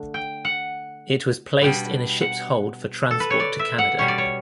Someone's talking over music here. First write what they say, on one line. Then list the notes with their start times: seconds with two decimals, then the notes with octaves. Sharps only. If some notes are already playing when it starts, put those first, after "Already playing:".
It was placed in a ship's hold for transport to Canada.
Already playing: D3 A3 D4
0.14 G5
0.45 F#5
1.61 B2 G3 B3 D4 G5
2.21 F#5
3.11 A4
3.20 B4
3.30 C#5
3.40 D5
3.59 E5
3.78 F#5
3.98 B2 G3 C#4 C#5
4.08 D5
4.18 C#5